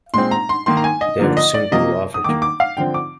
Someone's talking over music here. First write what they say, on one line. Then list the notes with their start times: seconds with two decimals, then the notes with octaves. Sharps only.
They'd simply laugh at you.
0.14 A#2 G#3 C4 C6
0.31 A#5
0.49 C6
0.66 D#3 A#3 C6
0.77 A#5
0.84 G#5
1.01 D#5
1.19 D3 F3 A#3
1.37 D#5
1.54 D5
1.72 C3 F3 A#3 D#5
2.14 D#6
2.24 D#3 A#3 D6
2.42 D6
2.60 F5
2.77 D3 F3 C4 G5
2.94 D6